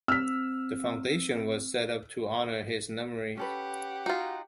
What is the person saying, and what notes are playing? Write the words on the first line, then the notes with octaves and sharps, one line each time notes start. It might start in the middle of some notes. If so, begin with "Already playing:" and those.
The foundation was set up to honor his memory.
C4 E6 F6 B6
C#4 G4 A4 B4 F#5
D#4 F4 F#4